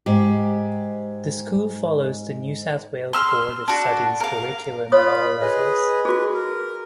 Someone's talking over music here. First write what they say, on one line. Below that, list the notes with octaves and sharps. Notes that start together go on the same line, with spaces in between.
The School follows the New South Wales Board of Studies curriculum at all levels.
G#2 G4
C6 E6 F6
D4 F#4
A#4 F5
F4 C#5 B5 D#6
G#4 B4 D#5
F#4 G#4 B4
A#4